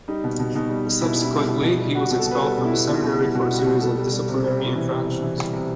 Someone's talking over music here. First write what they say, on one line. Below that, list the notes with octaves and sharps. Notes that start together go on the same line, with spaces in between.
Subsequently, he was expelled from the seminary for a series of disciplinary infractions.
G3 D#4
B2
B2
B2 D#4
G3
G3
B2 E4
G3
E4
G3
B2
B2
G3
G3 F#4
B2
A4
B2 B4
G3 A4
B2
E4
B2
B2
B2
G3
B2 F#4
G3
F#4
B2
G3 A4
G3
G3
C3
G3
C3
E3
G3
C3
E3
G3
C3